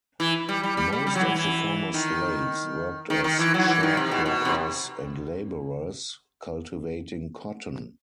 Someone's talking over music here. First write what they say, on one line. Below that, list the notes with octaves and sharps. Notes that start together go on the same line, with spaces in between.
Most of the former slaves worked as sharecroppers and laborers, cultivating cotton.
E3
G3
G3
G3
G3
G3
F#3
E3
E3
D#3
D#3
D#3
E3
F#3
E3
D#3
C3
B2
B2
C3